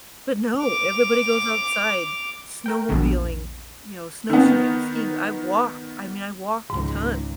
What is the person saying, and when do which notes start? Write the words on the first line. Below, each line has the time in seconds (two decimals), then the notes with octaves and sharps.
But no, everybody goes outside, snowmobiling, you know, snowshoeing, skiing. I walk I mean, I walked a ton.
0.58 D6 F7
2.66 A#4 G5
2.89 A#1 E2 B2 D3
4.29 D#3 B3
6.70 C#2 G#2 D#3